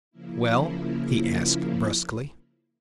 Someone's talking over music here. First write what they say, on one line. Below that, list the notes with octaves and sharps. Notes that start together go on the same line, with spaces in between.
"Well?" he asked brusquely.
C#3 F3 A#3 E4